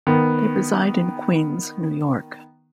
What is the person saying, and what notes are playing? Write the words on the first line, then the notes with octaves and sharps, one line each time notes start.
They reside in Queens, New York.
D#3 B3